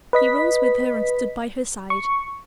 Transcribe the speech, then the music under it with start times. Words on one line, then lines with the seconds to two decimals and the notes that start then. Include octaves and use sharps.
He rose with her, and stood by her side.
0.13 B4 D#5 B6
1.90 C#6